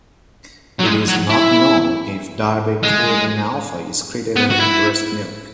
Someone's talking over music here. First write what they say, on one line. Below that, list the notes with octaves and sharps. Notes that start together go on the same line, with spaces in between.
It is not known if darbepoetin alfa is excreted in breast milk.
F#3
G#3
F#3
E4
G#3
B3
F#4
E4